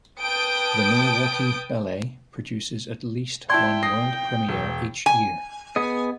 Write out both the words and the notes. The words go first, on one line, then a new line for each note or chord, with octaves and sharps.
The Milwaukee Ballet produces at least one world premiere each year.
B4 G5 A5 D#6 D7
E4 D5 G5 A5 C6
D#6 A#6 C7
E1
G#5
B3 G#4 D#5